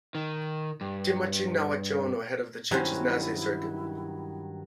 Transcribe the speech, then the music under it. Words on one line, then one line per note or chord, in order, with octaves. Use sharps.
Timoci Nawaciono, head of the church's Nasea circuit.
D#3
G2
G2 D#3 F#3 C#4 E4 F#4 C5